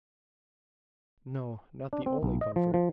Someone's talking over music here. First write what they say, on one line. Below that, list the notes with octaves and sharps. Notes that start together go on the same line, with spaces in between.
No; not the only comfort.
D4
C4
B1
D#5
F3
F3